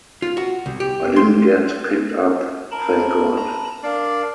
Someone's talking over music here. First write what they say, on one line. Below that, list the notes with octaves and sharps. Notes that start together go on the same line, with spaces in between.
It didn't get picked up, thank God.
F4
F#4
C2
G4
C6
A#4 A5 B5
A#5
D4 A#4 D5 F5